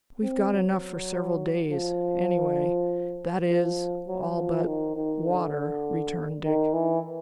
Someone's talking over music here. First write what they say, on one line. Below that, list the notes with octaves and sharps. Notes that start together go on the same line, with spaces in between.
"We've got enough for several days, anyway--that is, all but--water," returned Dick.
C4
F#3
F3
F3
F#3
F3
D#3
D#3
D3
D#3
E3